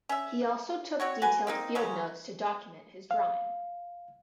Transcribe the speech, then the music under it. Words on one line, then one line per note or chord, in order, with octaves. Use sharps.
He also took detailed field notes to document his drawings.
C#4 E5
C4 F#4 C#5
F#4 B4 G#5
A#3 C4 D#4
C#3 F#3 G#3 C#4
F5